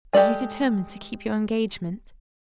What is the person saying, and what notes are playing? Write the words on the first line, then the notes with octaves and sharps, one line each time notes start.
"Are you determined to keep your engagement?"
G#3 G4 A4 D5 G#5